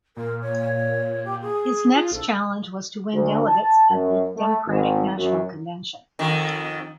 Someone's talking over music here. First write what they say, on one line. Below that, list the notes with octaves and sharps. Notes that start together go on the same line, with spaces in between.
His next challenge was to win delegates at the Democratic National Convention.
A#2 A#4
C#5
G4
G#4
F4
A#1 A4
D2
A5
F#2
A3
G#1
F#2
F2 D#3